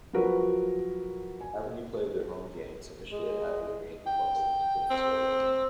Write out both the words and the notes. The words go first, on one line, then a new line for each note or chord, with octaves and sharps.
Avenue played their home games initially at Hadley Green before moving to Queens Road.
F3 F#3 F#4 A#4 B4
G#5
G#3
G5
C4